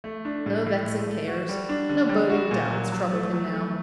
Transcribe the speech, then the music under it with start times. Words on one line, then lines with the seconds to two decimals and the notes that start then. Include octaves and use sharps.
No vexing cares, no boding doubts, troubled him now.
0.04 A3
0.25 D4
0.46 A2
0.66 A2
0.86 A3
1.07 A3
1.27 F#4
1.49 G3
1.69 D4
1.89 D3
2.09 G3
2.30 F#4
2.51 A#2
2.71 F#3
2.92 F#3
3.12 A3
3.34 F#3
3.53 A3